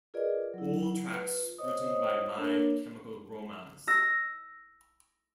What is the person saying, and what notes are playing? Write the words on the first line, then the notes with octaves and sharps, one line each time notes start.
All tracks written by My Chemical Romance.
F4 G#4 A#4 B4 D5 D#5
F#3 E4
F4 B4
F4 C5 C#5 D#5 D#6
A#3 D4 A#4 C#5
E6 A#6